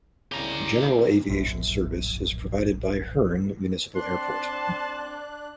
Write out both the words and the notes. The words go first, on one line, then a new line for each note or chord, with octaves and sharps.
General aviation service is provided by Hearne Municipal Airport.
C2 C#3 G4 A#5
A#2
D1 A#1 F#2
C4 D4 A5 C6 F#6